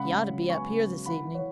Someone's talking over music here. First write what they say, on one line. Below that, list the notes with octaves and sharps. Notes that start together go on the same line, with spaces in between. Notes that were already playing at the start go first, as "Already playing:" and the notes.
He ought to be up here this evening.
Already playing: C#3 G#3 F#5 B5
C#3
F#3
B3 G#5 C#6
C#3
F#3
E3 F#5 B5
E3
C#5 F#5